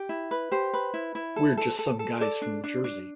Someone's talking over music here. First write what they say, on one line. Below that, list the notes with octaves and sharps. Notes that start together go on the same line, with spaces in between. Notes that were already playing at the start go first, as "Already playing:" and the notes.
We're just some guys from Jersey.
Already playing: G4
E4
B4
G4 C5
B4
E4
E4
A4
A4
A4
A4
A4 D5
D4
D4
D4